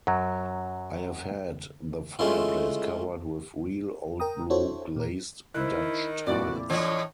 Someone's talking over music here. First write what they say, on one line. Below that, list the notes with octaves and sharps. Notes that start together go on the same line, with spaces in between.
I have had the fireplace covered with real old blue glazed Dutch tiles.
F#2 F#3
G#3 A3 C#4 E4 F4
A#4 G5 A#5 D#6
D4 E4 F#4 A4 C5 C#5
A#2 A#4
D#3 E4 C5 F#6
F2 A#2 E4 F#4 D5
A2 E3 D4 C#5 D#5